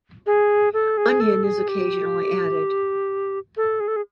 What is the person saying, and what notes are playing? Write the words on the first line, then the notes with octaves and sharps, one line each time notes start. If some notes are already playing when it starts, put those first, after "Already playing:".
Onion is occasionally added.
G#4
A4
G#4
A4
G#4
G4
A4
G#4
A4
G#4